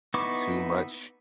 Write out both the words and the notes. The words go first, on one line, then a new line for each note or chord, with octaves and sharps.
too much.
B3 D#4 E4 C#6 D6